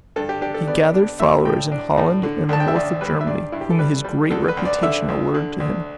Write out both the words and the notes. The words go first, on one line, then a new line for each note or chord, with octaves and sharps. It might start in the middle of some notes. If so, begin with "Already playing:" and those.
He gathered followers in Holland and the north of Germany whom his great reputation allured to him.
G2 A4
G4
D4 G4
A4
B3 D5
D4
A2 E5
A2 G5
D4
A2
D3
D2 A5
G5
E5
D2 D5
G3 B4
E5
G2 D5
G2 E4
G4
A4
G3 B4
G3
D2 A4
B4
D2
D5
D3 E5
D2
D3
D2